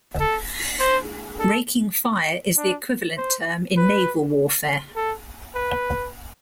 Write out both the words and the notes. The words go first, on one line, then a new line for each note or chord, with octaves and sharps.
Raking fire is the equivalent term in naval warfare.
A4
C5
A4
D4
C5
B4
A4
B4